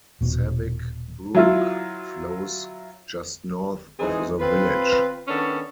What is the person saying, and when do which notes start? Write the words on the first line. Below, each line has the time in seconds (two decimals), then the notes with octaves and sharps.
Savick Brook flows just north of the village.
0.21 D#1 B2
1.35 F#3 E4 F4
4.00 E3 G#3 C4 D#4 G#4
4.40 C4 F4 B4
5.28 D#3 B3 C#4 D4 A4